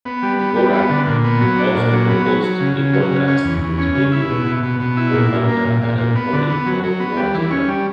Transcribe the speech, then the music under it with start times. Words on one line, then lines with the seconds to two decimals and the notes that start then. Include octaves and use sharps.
Dvorak also co-hosts a podcast with Mevio co-founder Adam Curry called "No Agenda".
0.05 B3
0.22 G3
0.39 B3
0.56 G3
0.73 B3
0.90 D3
1.07 A#2
1.24 B3
1.41 F#3
1.58 D4
1.75 A#2
1.92 F#3
2.09 B3
2.26 F#3
2.43 F#3
2.60 C#3
2.76 C#3
2.93 F#3
3.11 C#3
3.28 C#4
3.44 E2
3.61 E2
3.78 C#4
3.95 C#3
4.12 E4
4.29 B2
4.46 B2
4.63 B2
4.80 B2
4.97 E4
5.13 A#2
5.30 A#2
5.48 A#3
5.65 A#2
5.82 A#2
5.98 A#2
6.16 B3
6.33 D3
6.49 B3
6.66 F#3
6.84 F#3
7.00 B3
7.17 G3
7.34 E3
7.51 C#4
7.68 G3